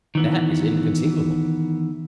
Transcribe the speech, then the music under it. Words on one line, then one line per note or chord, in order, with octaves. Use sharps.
That is inconceivable.
D#3 E3 B3